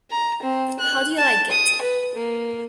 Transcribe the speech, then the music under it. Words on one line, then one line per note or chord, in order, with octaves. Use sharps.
How do you like it?
A#5
C4
F#6
A5
D#6
B4
A#3